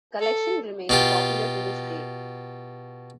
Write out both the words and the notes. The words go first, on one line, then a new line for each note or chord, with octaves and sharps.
The collection remains popular to this day.
A4
B2 F4 G4